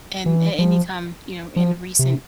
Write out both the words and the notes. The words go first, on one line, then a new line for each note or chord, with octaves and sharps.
an a any time, you know, in recent
E3
F3
F3
C3